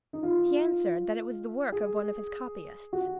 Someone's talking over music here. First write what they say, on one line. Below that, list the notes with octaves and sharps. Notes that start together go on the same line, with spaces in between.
He answered that it was the work of one of his copyists.
D#4
F4
G#4
F#4